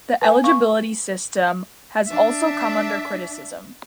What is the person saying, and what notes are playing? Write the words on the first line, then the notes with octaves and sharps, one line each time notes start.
The eligibility system has also come under criticism.
B4 G#5
F5 C#6
D4 E5